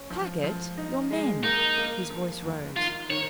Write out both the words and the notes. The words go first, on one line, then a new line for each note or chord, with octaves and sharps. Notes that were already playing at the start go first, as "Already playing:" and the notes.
"Claggett--your men!" his voice rose.
Already playing: C#4
F3
F3
D#4
G#3
A#3 D#4
A#3
F3
D#2
D#3 F4
D#3 C#5